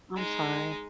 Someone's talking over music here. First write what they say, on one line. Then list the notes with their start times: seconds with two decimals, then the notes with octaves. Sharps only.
I'm sorry.
0.16 G#3 D#4